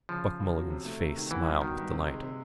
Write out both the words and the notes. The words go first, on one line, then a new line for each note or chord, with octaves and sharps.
Buck Mulligan's face smiled with delight.
C#3 F3
C#3
C#3
F#3
C3
A3
C3
D#3
E3 B3
G2
D#3 F#3
G2
C3
G#3
C3